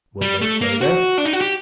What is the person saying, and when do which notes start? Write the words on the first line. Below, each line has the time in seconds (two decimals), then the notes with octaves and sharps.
"Will they stay there?"
0.21 G3
0.41 A3
0.61 A#3
0.81 F#4
1.18 D4
1.25 D#4
1.33 F#4
1.41 G4